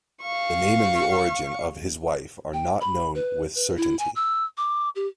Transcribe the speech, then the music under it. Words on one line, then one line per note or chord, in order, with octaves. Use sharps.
The name and the origin of his wife are not known with certainty.
F5 C#6
G5
B5
B4
B4
E4
G#5
E6
D6
G4